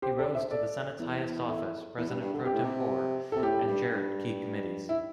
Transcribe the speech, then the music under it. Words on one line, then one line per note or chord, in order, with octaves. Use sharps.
He rose to the Senate's highest office, President Pro Tempore, and chaired key committees.
G4 C5
A4 D5
C5 E5
A4 D5
E2
E4 A4
E2
G2
G2
D3
C3 G4
A2
C3
C3 A4
A2 G4
E2
G2
G2
E4